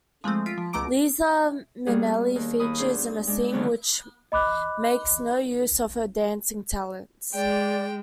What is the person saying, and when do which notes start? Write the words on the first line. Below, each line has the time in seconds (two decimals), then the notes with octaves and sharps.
Liza Minnelli features in a scene which makes no use of her dancing talents.
0.24 F3 G#3 A3 C4
0.46 F4 B6 D7
0.58 F3
0.73 C#2 B2 A3 A#5 D6 D7
1.86 G3 A#3 B3 C#4 G#4
2.36 D#2
2.59 D#2 B5 D#6
2.78 B2 D4 G#4 C5
3.27 G#3 D4
3.52 D#2 G#2 D3 D#3 F#3 B3
4.32 D#5 B5 D6 F#6
7.34 G#3 D5 G5